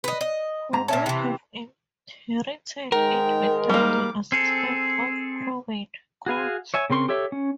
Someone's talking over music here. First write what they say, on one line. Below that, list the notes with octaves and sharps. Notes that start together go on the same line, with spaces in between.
Could we have inherited it without the assistance of probate courts?
B4 D#5
D#5
G#2 A#5
A#2 C#4 E5 A5
C3 E3
G#2 D#3 G#3 A#4 G5
G3 A#3 D6
C4 G#4 A4
F#4 G#4 F5 G#5
C#5 E5 G#5
C#3 C4 A#4 C6 C#6
G4 A4 C#5 E5
C#4